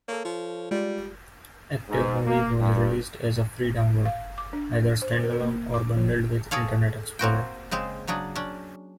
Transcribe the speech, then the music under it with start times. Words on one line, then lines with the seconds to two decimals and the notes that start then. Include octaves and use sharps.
ActiveMovie was released as a free download, either standalone or bundled with Internet Explorer.
0.08 A#3 A4 C#5
0.25 F3
0.71 G3 G#3 F4 D5
1.89 G#2
2.25 A#3
2.59 G2
4.06 F5
4.38 D6
4.53 D4
5.02 C5
5.24 A#4
5.41 A#3
5.74 D6
5.97 F3
6.51 G#4 A4 C#5 F5
7.19 A#3 C4 F#4 G5
7.71 C#3 G#3 C4 C5
8.07 C#3 F#3 D4 G#4
8.36 C#4 D4